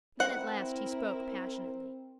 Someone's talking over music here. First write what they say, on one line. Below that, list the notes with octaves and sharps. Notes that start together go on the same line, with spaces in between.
Then at last he spoke passionately.
C4 E4 A#4 F#5